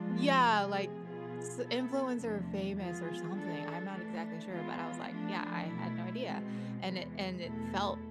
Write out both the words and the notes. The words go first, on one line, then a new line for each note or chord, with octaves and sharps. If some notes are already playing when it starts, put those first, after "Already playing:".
Yeah, like, s influencer famous or something, I'm not exactly sure, but I was like, "yeah, I had no idea," and it and it felt
Already playing: F3 G#3 D4 F4 G#4
C3 F3 A3 C4 G#4
B2 B3 F4 G#4
F3 B3 E4 A4
E2 C3 F3 A3 D4
F3 G#3 B3 F4 G#4
E3 G#3 D4 A4
E3 A3 D4
E3 G#3 B3 F4
F3 A3 D4
B2 A3 E4
B2 G#3 C4
E2 C3 E3 G#3
E2 B2 A3 E4 A4